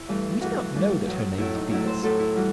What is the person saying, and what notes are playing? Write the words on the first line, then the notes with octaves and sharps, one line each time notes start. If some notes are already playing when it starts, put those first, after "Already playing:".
We do not know that her name is Venus.
Already playing: E4
G2 E3 A3
G2 E3 A3 F#4
G2 E3 A3
A2 F#3 A3
A2 F#3 A3 E4
D#4
A2 F#3 A3 E4
C5
A2 F#3 A3 A4
E4
E3 G3 F#4